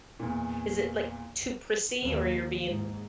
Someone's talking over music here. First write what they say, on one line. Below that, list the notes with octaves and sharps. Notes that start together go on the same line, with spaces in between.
is it, like, too prissy or you're being
E2 A#2
D#2
G#2